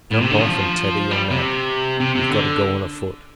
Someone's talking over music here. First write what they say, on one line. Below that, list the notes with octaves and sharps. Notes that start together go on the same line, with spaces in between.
Jump off and tether your nag. We've got to go on afoot.
A2
C3
D3
F3
G3
C3
C3
C3
D3